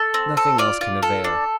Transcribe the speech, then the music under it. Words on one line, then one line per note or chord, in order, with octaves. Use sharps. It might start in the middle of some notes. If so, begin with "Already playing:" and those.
Nothing else can avail.
Already playing: A4
C4
A4
F4 D5
F4
A4
D4